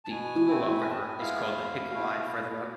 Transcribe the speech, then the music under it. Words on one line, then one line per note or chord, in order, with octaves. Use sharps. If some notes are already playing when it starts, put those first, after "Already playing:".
The Uawa River is called the Hikuwai further up.
A5
B2 G#5
A3 C4 E4
A2 G#5
A5
G#5
G#3 B3 E4 F5
E2
B2 A3 E4
B2